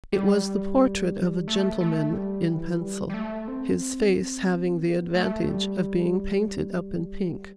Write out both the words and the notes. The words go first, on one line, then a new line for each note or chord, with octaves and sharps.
It was the portrait of a gentleman in pencil, his face having the advantage of being painted up in pink.
G3
A3
A3
G3
E3
G3
G3
A3
C4
B3
A3
G3